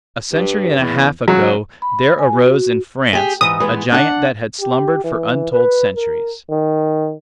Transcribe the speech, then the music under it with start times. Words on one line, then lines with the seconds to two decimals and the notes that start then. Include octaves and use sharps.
A century and a half ago there arose in France a giant that had slumbered for untold centuries.
0.33 G2
0.79 E2
1.28 C#3 F#3
1.82 B5
2.19 G#5
2.33 F#4
3.13 G4 G#4
3.41 G#2 E3 D#6
3.60 E3 G#3 B3
3.92 D4 F#5
4.61 G4
5.04 E3
5.52 B4
5.96 A#4
6.50 D#3